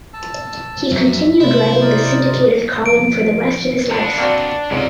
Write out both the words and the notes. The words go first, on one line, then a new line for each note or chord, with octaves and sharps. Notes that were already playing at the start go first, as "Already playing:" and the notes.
He continued writing the syndicated column for the rest of his life.
A5 E6
F#2 F3 E5
C3 E4 C5
A#4 D5 D#5
F3 D7
B3 D4 F4
A#3 C4 F#4 D5
C#2 G#2 C3 C#4 A#4